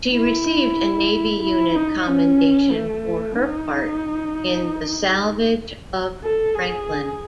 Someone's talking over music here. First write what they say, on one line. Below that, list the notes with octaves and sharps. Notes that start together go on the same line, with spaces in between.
She received a Navy Unit Commendation for her part in the salvage of "Franklin".
E4
E4
D#4
C#4
A3
D#4
A4
G#4